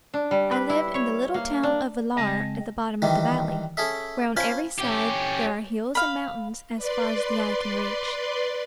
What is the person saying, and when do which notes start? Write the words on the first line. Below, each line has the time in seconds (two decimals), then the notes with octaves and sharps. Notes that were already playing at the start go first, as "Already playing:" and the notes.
I live in the little town of Villar at the bottom of the valley, where on every side there are hills and mountains as far as the eye can reach.
0.14 D4
0.31 G3
0.51 B4
0.70 E4
0.94 C#5
1.34 A#3
1.63 D4
2.16 C#3 G#3 C4 D#5 G#5 A5
3.02 D#3 E3 G3
3.77 C#4 G#4 A4 E5
4.37 C#4 F4 C5 G#5 A5 B5
4.78 C#4 G4
5.95 F5 B5
6.76 B4 D5 C6